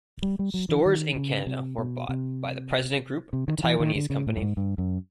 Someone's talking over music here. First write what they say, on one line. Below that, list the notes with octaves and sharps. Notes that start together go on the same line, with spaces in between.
Stores in Canada were bought by The President Group, a Taiwanese company.
G3
G3
F#3
E3
D#3
C#3
C3
B2
C3
C3
D#3
D#3
E3
D#3
D3
C#3
A2
G2
G#2
G2
F#2